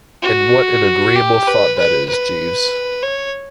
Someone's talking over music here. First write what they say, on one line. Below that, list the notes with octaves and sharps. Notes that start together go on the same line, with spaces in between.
And what an agreeable thought that is, Jeeves.
F#4
G4
B4
B4
B4
C#5